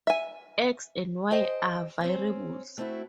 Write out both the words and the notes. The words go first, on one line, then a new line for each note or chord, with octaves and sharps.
X and Y are variables.
E5 G#5
G#4 C5 D#5 G5
C4 C#4
A3 C4 D4 E4 F#4